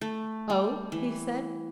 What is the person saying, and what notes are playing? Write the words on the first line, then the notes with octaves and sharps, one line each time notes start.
"Oh!" he said.
A3
G3
E3